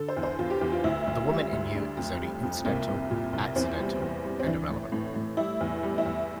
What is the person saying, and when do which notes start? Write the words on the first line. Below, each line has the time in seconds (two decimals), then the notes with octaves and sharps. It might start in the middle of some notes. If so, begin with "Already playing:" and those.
The woman in you is only incidental, accidental, and irrelevant.
Already playing: D3 A4
0.08 C5
0.17 E2
0.23 C5
0.39 E2 F4
0.50 G4
0.61 E2 G4
0.72 F4
0.84 D2 E4
1.07 D2
1.30 G3
1.53 D2
1.75 G3 D4
1.97 F2
2.19 G3
2.43 F2
2.65 C2 A#3
2.88 C2
3.11 A#2
3.33 C2
3.56 E2 C4
3.79 G3
4.02 E2
4.24 G3
4.40 C4
4.46 E3 D4
4.70 A2
4.92 A2
5.15 A2
5.37 G3 E4
5.61 E2
5.83 G3
5.98 E4
6.06 E2